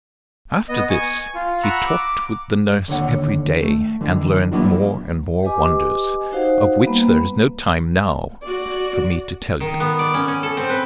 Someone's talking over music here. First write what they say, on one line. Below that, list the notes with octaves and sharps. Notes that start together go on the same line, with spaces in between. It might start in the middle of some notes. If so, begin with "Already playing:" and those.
After this he talked with the nurse every day, and learned more and more wonders, of which there is no time now for me to tell you.
B3 D#5
G#5 C#6
F4
F#5 A#5 B5 C#6 E6
D6
D#2 D3 C#5 F#5
A3
D3 E3
F#3 A#3 B3 D4 E4 F#4
G4 B4 D#5 G#5 D6
D#4 F#4 C5 F5 F#5
G3 A#3 B3 B4 B5
F#4 D5
D#3
B3
D5
C#4
C#4
A4
C4
B4